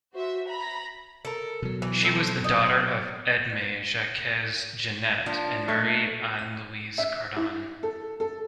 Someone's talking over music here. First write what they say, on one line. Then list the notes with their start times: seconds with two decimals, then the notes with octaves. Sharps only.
She was the daughter of Edme-Jacques Genet and Marie-Anne-Louise Cardon.
0.13 F#4 C5 E5
0.50 A#5 B5
1.25 A4 A#4
1.62 B2 F#3
1.82 E3
2.03 A3 C4
2.44 D#4
5.26 F3 A#3 D4
5.68 A3 D#4
6.39 D#7
6.98 E5
7.36 E4
7.83 A4
8.20 A4